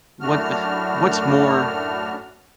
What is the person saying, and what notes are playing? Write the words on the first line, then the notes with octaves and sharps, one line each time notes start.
what, uh, what's more
F#2 A2 A3 D4 F#4 F6